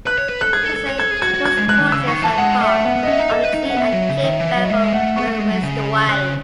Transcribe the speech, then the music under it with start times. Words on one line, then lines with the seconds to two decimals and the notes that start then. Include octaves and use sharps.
Persons whose portraits are carved on a tree at Cape Bedford will waste away.
0.06 B4 F#6
0.18 C#5
0.29 B4
0.41 A4 F#6
0.53 G#4 G#6
0.64 A4
0.76 A4
0.87 C#5
0.98 A4 G#6
1.11 G#4
1.22 F#4 G#6
1.34 F#4
1.45 F#4 G#6
1.57 G#3
1.68 G#3 F#6
1.80 D#3
1.92 C#3 E6
2.07 D#3 C#6
2.22 E3 A5
2.38 G#3 F#5
2.61 A3 E5
2.85 B3 F#5
2.95 B3
3.03 D#5
3.07 C#4 E5
3.19 D#4
3.30 A4 D#5
3.43 B4
3.54 D#4
3.65 C#4 F#5
3.77 B3 E5
3.93 F#3
4.09 C#3
4.24 D#3 E5
4.40 E3
4.55 F#3 D#5
4.69 G#3 E5
4.93 A3 F#5
5.16 B3 C#6
5.27 A3
5.40 G#3
5.51 F#3
5.63 C#3
6.09 C#3 F#6